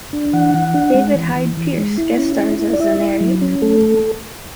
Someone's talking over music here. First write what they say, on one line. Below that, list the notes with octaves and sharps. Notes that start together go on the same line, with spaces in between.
David Hyde Pierce guest stars as the narrator.
D4
E3 F#5
E3
D4
G#3
E3
E3
E3
G#3
E4
C#4
E4
E4
D5
E4 E5
E4
F#3
C#4
A3 A4